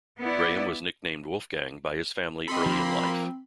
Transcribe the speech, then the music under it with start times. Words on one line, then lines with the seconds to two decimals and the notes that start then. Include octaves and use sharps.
Graham was nicknamed "Wolfgang" by his family early in life.
0.21 B3 E4 D5
2.48 C4 A4 D#5 B5 C6
2.66 F3 A#3